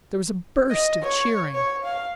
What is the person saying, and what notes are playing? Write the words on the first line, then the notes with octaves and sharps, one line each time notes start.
There was a burst of cheering.
D#5
C#5
C#5
F5